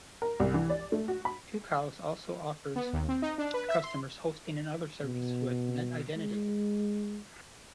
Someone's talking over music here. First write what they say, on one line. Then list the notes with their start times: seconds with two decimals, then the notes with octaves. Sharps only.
Tucows also offers customers hosting and other services with NetIdentity.
0.22 A#4
0.40 C2
0.54 E3
0.70 D5
0.92 A3
1.08 F#4
1.25 B5
2.76 B3
2.93 D#2
3.09 C4
3.22 D#4
3.38 D4
3.54 B4
3.69 E5
3.84 C6
5.04 B2
6.16 G#3